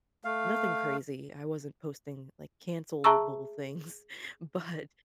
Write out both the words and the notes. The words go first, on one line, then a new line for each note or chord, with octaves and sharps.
nothing crazy. I wasn't posting, like, cancel-able things, but,
A3 F5
G#4 E5 A5 A#5 C#6 E6